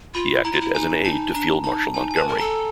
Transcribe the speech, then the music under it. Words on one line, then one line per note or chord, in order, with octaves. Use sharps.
He acted as an aide to Field Marshal Montgomery.
F4 B5
E4 A#5
F4
E4
D#4 G#5
D#4 A5
D4 A#5
D#4 A5
D#4 G#5
G#5
B4 A5
A#4
A4 A#5